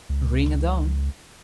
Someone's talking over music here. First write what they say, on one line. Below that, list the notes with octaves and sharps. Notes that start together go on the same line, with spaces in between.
Ring a dong!
C#2